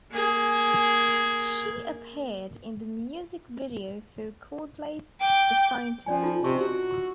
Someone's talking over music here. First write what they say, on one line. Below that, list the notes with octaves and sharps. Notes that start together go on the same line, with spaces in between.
She appeared in the music video for Coldplay's "The Scientist".
A#3 G#4
G5 D6 G6
F3 C#4 D5 G#5
D#4 F4 A4
C3 D#5 C#6
F#4
C#6 E6